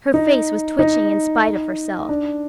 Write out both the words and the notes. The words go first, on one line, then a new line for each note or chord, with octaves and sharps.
Her face was twitching in spite of herself.
D#4
D#4
D4